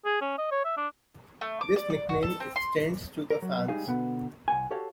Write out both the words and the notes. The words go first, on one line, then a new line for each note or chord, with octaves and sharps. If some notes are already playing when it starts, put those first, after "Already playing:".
This nickname extends to the fans.
G#4
C#4
D#5
C#5
E5
D4
A3
D6
D5
D5
F#4
A4
C4
C6
A#4
F#3
G3 G#3 D#4 G#4 F5
B2 D3 B3
C2 F#5 G#5
F#4 G4 A4 C#5 F5